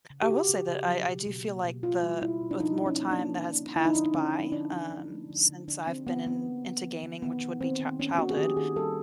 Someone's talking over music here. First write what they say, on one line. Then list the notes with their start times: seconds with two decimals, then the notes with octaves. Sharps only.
I will say that I I do feel like the with more time that has passed by, um, since I've been in into gaming, which would be chi childhood,
0.10 C#3
0.23 G4
0.29 C#3 F#4
0.49 C#3
0.68 C#3
0.87 F#3
1.06 B2
1.26 B2
1.45 A#3
1.64 B2
1.83 B2 F4
2.03 G3
2.22 B2 E4
2.41 B2
2.51 D4
2.60 F3 D#4
2.80 A#3
2.86 C#4
2.99 A#3
3.11 D4
3.18 A#3
3.37 D3
3.57 A#3
3.76 D3 E4
3.85 D#4
3.95 F3 D4
4.04 D#4
4.15 D3 C#4
4.34 F3
4.52 D3 D4
4.72 D3
4.91 F3
5.11 A3
5.30 D3
5.49 D3
5.68 D3 D4
5.87 D3 C4
6.07 D3 B3
6.26 D3 B3
6.45 A#3
6.64 A#3
6.84 F3
7.03 D3
7.22 D#3 B3
7.41 D#3
7.60 D#3 C4
7.80 D#3
7.99 A#3 C#4
8.18 A#3 F#4
8.31 G#4
8.37 D#3 G4
8.57 D#3 G#4
8.76 G3 A4